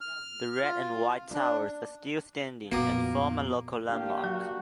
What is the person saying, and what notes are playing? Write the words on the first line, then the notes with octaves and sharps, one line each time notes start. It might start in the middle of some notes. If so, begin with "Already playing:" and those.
The red-and-white towers are still standing and form a local landmark.
F6
F4
D4
F2 A#2 A#3 B3 F#4 D6 D#6
A#3 D4 G4 F5
F#3 F#4